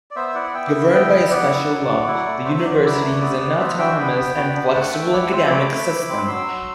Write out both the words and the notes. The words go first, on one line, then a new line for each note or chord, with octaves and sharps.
Governed by a special law, the university has an autonomous and flexible academic system.
D5
B3 C5 E5
E4 D5 F#5
B3 E5 G5
E4
B3
E4
B3 D5 F#5
E4
F#3
F#3
E4
A3
F#3 C5 E5
F#3 D5
C5
E4 B4 D5
A3
B3
B3
F#4 C5 E5
D4 E5 G5
B3 G5 B5
B3
F#4
D4
A3 F#5 A5
A3 E5 G5
E4 D5 F#5
C4 C5 E5
A3 B5 D6
A3
E4
C4
F#3 C6 E6
F#3